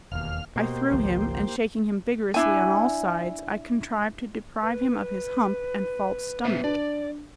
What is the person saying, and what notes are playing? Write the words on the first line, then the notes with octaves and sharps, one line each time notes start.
I threw him, and shaking him vigorously on all sides I contrived to deprive him of his hump and false stomach.
E1 D#2 F5 F6
B2 A#3 G4 C5
G#1 C#2 F3
D4 E4 G#5
B4
B3 C5 E5
D4 D5